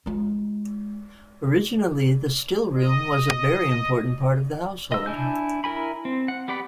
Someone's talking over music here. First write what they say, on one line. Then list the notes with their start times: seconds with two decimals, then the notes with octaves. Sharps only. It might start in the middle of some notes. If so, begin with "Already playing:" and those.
Originally, the still room was a very important part of the household.
0.06 G#3 F4
2.74 D#5
4.92 D#5 E6
5.06 D4 E4 G#5 G6
5.64 E4 A#4 G#5 B5
6.05 C4
6.28 F#5
6.48 B3 G4 D5 F#5 B5